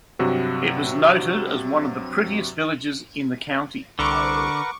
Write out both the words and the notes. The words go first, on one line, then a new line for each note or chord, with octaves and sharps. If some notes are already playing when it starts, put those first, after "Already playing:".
It was noted as one of the prettiest villages in the county.
G2 C3 F#3 F#4
C2 D3 A#4 B4 F#5 C#6 D6